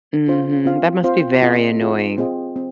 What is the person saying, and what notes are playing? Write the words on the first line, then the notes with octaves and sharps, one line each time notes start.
Mhm, that must be very annoying.
C4 F4 C5 F5
C4 F4 C5 F5
C4 F4 C5 F5
C4 F4 G#4 D#5
C4 F4 G#4 D#5
C4 F4 G#4 D#5
C4